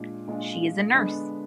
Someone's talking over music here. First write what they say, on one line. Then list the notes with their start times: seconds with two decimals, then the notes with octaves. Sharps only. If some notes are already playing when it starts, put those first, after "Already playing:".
She is a nurse.
Already playing: A#2 G#3 D4 F4
0.27 A#2 G#3 D4 F4
0.94 D3 G#3 B3 D4